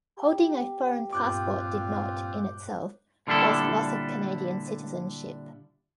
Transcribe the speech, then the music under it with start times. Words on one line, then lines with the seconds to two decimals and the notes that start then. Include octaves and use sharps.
Holding a foreign passport did not "in itself" cause loss of Canadian citizenship.
0.17 G4
1.13 G2 A#2 C4 F4 D6 F#6 G6
3.27 A#2 D3 G3 D4 E4 A4